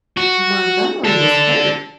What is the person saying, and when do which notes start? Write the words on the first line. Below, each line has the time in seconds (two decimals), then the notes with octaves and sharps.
Montgomery was hurt,
0.17 F#4
1.05 D4 A4